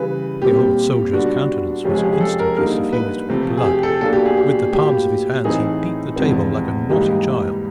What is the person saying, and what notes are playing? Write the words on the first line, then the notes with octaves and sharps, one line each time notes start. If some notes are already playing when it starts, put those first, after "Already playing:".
The old soldier's countenance was instantly suffused with blood; with the palms of his hands he beat the table like a naughty child.
Already playing: C#3 E3 G3 B4
A#2 G3 C4 G4
D3 G3 B3 D4 F#4
F2 C3 F3 G#3 C#4 G4
G#4
G4
G#4
A4
A#4
D3 G3 A#3 D#4 A#4
B4
C3 F3 A3
G#4
G4
A4
B2 F#3 A#3 D4 A4
G4
G#4
G4
A2 F#3 A#3 G4
A2 E3 A3 C4 D#4 G#4
E2 C3 F3 G#3 C4
G#2 E3 G3 A#3 D#4 G4